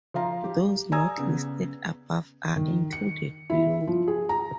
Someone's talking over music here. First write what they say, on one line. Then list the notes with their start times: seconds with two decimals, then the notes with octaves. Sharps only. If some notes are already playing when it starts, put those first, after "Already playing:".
Those not listed above are included below.
0.14 F3 F4 F5 A#5
0.44 G4
0.92 D5 G#5 A#5 D#6 E6 G#6
1.18 C#3 B3
2.56 D#3
2.93 C#7
3.50 E4
3.87 F3
4.08 G#4
4.29 A#5